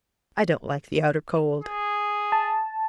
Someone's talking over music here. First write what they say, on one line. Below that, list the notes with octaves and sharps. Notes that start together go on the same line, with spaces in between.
I don't like the outer Cold.'
G#4
A5